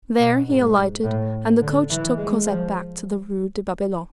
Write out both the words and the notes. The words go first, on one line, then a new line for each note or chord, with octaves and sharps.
There he alighted, and the coach took Cosette back to the Rue de Babylone.
B2
G#2
A2
D3
E3
G#3
F3